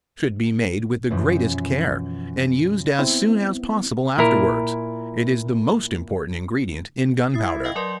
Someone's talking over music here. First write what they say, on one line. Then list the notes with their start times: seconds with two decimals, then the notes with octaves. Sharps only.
It should be made with the greatest care, and used as soon as possible afterwards: it is the most important ingredient in gunpowder.
1.10 F#2 B2 E3 F3
2.99 B3 C4 E4
4.18 A#2 E4 A#4
7.34 E4 D#6 A6 C7
7.64 D#5 F5 G5
7.75 F#3 A#4 D5 C6